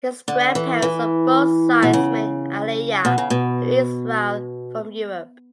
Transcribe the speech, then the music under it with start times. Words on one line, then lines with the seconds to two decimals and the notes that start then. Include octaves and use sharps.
His grandparents on both sides made Aliyah to Israel from Europe.
0.28 D3
0.55 E3
0.82 E3
1.82 B2
1.93 C#3
3.05 B2
3.18 C#3
3.30 B2